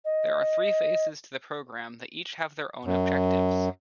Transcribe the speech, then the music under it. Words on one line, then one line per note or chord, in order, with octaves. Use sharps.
There are three phases to the program that each have their own objectives.
D#5
F#2